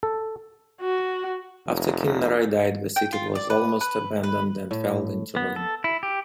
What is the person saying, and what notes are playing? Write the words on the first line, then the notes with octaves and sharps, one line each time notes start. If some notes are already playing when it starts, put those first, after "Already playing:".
After King Narai died, the city was almost abandoned and fell into ruin.
A4
F#4
F1
G5
F4
D5
B4
B4
B4
A2
B3
A4
E4
G4